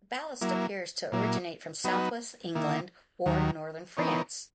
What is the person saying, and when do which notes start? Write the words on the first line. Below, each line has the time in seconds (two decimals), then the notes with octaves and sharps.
The ballast appears to originate from southwest England or Northern France.
0.41 F#3 A#3 E4
1.12 A#2 F#3 A#3 E4
1.84 F#3 B3 D#4 F#4 B4
2.55 D#3 A#3 E4
3.26 D#2 D#3 F#3
3.97 E3 B3 D#4 A#4 C#5